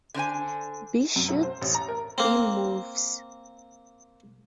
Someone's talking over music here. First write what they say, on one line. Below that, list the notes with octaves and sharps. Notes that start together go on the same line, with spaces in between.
B shoots, B moves.
D3 D4 C5 G#5
F#2
B1
C5
A1
A#5
A#4
A#3 C4